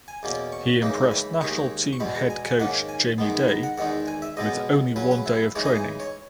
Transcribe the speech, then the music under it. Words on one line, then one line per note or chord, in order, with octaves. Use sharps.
He impressed national team head coach Jamie Day with only one day of training.
G#5
E2 B2 A#3 C#4
C#6
C#2 C#3 E3 A#3 D#4
B5
D#2 D#3 G#3 D#4 C#6
C#6
E2 B2 G#3 B5
A#5
G#5
G#5
G#2 D#3 A#3 C#4 F#5
G#5
G#2 D#3 G#3 B3
B5
A#5
F#5
E2 D#3 G#3 D#4 F#5
G#5
E5
C#2 B2 G#3 B3 D#5
C#3 F#3 C#4 B4
B4
E4
C#3 E3 G#3 D#4 C#5
D#5
G#5
C#5